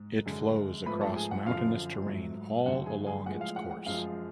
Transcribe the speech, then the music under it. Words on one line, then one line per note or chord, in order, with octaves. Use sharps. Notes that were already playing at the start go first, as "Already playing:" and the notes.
It flows across mountainous terrain all along its course.
Already playing: G#2
F#2 D3 G#3
G#2 F3 A3 B4 B5
A4 A5
G#4 G#5
F#5
F#2 D3 F3 F5
G#2 F#3 A3
F#2 D3 F#3 A3 F#5
G#4 G#5
G#4 G#5
A2 F3 G#3 F#5
F5
F#5
F#5
F#2 F3 G#3 F5